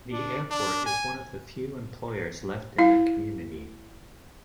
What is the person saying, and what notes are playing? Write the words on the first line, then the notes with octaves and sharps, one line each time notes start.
The airport is one of the few employers left in the community.
D4
D4
G#5
E4 F5